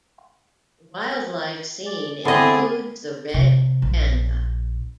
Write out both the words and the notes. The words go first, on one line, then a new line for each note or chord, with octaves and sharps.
Wildlife seen includes the red panda.
D5
D3 B3 C4 E4 G#4 D5 D#5
C3
A#1